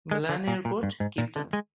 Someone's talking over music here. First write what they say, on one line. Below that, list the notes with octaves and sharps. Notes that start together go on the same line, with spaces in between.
Malan Airport, Cape Town.
G#3
D3
A#2
A#2
G2
G#2
A#2
D3
G#3